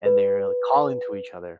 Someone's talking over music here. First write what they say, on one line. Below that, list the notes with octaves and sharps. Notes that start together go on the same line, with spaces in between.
and they're, like, calling to each other.
B4